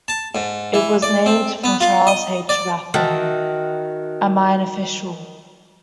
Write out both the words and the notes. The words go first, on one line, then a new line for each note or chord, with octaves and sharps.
It was named for Charles H. Rathbun, a mine official.
A5
G#2
E3
D5
C4
B3
F4
D#5
D5
D#3 F#4 E5 A5